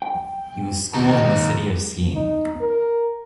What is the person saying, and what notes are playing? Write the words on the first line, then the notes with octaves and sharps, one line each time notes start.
He was schooled in the city of Skien.
G5
D#2 D#4
D#4
A#4